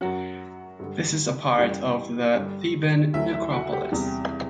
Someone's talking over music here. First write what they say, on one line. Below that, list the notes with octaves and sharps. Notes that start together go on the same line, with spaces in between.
This is a part of the Theban Necropolis.
F#2 F#3 F#4 F#5
G2 D3 G3
F#2 E3 G3 G4 G5
G2 D3 G3
D2 D3 F#3 E4 E5
E4 E5
F#4 F#5
G4 G5
E2 C3 E3 G3